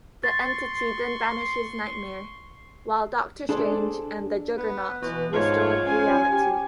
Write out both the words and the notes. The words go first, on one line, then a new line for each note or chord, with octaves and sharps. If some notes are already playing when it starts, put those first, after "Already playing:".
The entity then banishes Nightmare while Doctor Strange and the Juggernaut restore reality.
C6 C#6 A6
D4 G#4 A4 C5 D5
B3
B2 E3
G#2 F3 C#5
C#4 G#5
G4